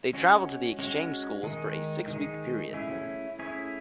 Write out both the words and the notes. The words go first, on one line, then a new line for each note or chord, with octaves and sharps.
They travel to the exchange schools for a six-week period.
G#3 C#4 F#4 C#5
G#3 C#4 F#4 C#5
D#3 G#3 D#4 G#4
D#3 G#3 D#4 G#4
A3 C#4 E4 G#4 C#5
A3 C#4 E4 G#4 C#5